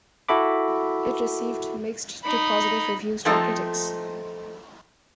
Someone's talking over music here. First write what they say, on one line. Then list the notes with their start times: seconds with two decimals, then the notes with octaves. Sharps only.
It received mixed to positive reviews from critics.
0.29 E4 F#4 A4 E5 B5 D6
2.23 D#4 B5
3.25 F3 A3 C4 D#4 A4